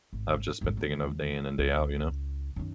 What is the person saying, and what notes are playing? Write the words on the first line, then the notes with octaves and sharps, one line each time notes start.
I've just been thinking of day in and day out, you know?
G#1
G#1 F2
D#2
C#2
F#2 D#3